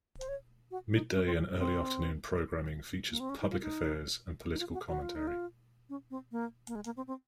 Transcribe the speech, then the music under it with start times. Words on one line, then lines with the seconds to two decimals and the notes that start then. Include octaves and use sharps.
Midday and early afternoon programming features public affairs and political commentary.
0.19 C5
0.28 C#5
0.71 F#4
0.93 D#4
1.14 C#4
1.25 C4
1.58 C4
3.10 A#3
3.20 C4
3.30 C#4
3.41 D#4
3.51 F4
3.62 D#4
4.54 D#4
4.60 F4
4.74 F#4
4.88 F#4
5.02 F4
5.15 D#4
5.27 F4
5.89 C#4
6.11 C4
6.32 A#3
6.68 A#3
6.75 G#3
6.85 A#3
6.97 C4
7.07 C4